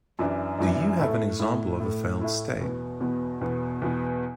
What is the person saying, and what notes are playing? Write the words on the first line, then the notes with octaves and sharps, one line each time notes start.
Do you have an example of a failed state?
F#2 E3 D4
F#2 E3 D4
A2 A3 E4 A4
A2 A3 E4 A4
A2 A3 E4 A4
A2 A3 E4 A4
E2 B2 B3
E2 B2 B3
E2 B2 B3
E2 B2 B3